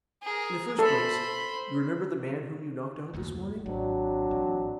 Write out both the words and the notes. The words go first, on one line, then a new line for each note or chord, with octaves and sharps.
In the first place, you remember the man whom you knocked out this morning?
G#4 A#4
A4 C5 B5
F#1 D#2 A2
G#1 F#3 C4 D4
A1